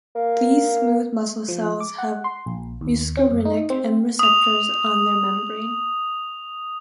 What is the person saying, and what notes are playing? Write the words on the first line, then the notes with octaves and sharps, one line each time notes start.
These smooth muscle cells have muscarinic M receptors on their membrane.
A#3
F3
D6
F#5
C6
A#1
D#2
C#4
F#2
D#4
C4
D#6 F7